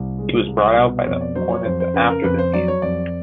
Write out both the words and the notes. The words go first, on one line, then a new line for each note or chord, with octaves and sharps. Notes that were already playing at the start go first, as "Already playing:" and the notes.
He was bought out by the Hornets after the season.
Already playing: C2
G#3
C2
B2
F2 C#5
D5
F#3 C5
C#5
F2 C5
C5
C#3 B4
A#4
F2 B4
C5
F#3 D5
C#5
F2 D5